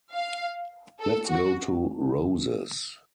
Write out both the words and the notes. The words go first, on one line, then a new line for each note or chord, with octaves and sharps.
Let’s go to Roses.
F5
A4
F#4